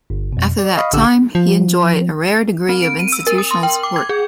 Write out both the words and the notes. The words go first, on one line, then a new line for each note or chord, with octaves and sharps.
After that time, he enjoyed a rare degree of institutional support.
G1
F2 B2
D5
D#5 F5 B5 C#6 D#6
A#1 D3 G4 F#5 D6 E6
F3
C4
D7
D#7
E6
A#4
D#6
C6
G5
D6
G#6
G#4